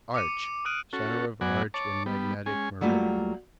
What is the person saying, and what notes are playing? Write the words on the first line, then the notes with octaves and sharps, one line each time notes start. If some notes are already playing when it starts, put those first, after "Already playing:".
Arch: centre of arch in magnetic meridian.
D6 C#7 D#7
D6 D#6 F6 F#6 D7 D#7
C#4 F#4 A4
F#2 F#3 B3 D5 F#5 G#5
C#5 A5 D6
G3 B3
G#3 C#4 G#5
F#3 G3 A3 A#3 F4